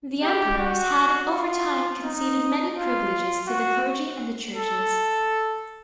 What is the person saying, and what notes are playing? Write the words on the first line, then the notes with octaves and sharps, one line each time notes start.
The emperors had, over time, conceded many privileges to the clergy and the churches.
G4
F#4
F4
D#4
F4
F#4
A4